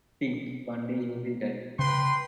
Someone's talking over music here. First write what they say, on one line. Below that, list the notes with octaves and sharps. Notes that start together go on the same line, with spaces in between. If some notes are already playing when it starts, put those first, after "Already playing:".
Think: one day you will die.
C#3 B4 G5 C6